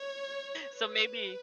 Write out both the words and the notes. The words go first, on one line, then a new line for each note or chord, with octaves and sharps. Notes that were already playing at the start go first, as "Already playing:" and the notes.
So, maybe
Already playing: C#5
B4